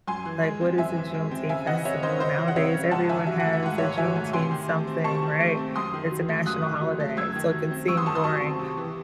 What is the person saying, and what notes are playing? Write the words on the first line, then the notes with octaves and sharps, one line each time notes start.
Like, what is a Juneteenth festival, nowadays? Everyone has a Juneteenth something, right? It's a national holiday, so it can seem boring,
F#2 G#5 C6
E3
G#3
C4
F#2 E5 G#5
E3
G#3
C4
C#3 E5 G#5
E3 D#5 F#5
C4 C#5 E5
C#3 C5 D#5
C#3 C5 D#5
E3
F#5
C4 C#5 E5
C#3
G#2 F#5 A5
D#3 E5 G#5
F#3 E5
F#5
A3
E5
G#2 F#5
D#3 C#5 E5
F#3 E5 G#5
A3
C3 G#5 C6
D#3
A3
C4
C3 A5 C#6
D#3
A3
C4
F#2 C6 D#6
D#3
F#3
A3
F#2 D#6 F#6
D#3
F#3
A3
F#2 E6 G#6
D#3
F#3
C4
F#2 C#6 E6
C6 D#6
D#3 A5 C#6
C6 D#6
F#3 A5 C#6
C4
C3
E3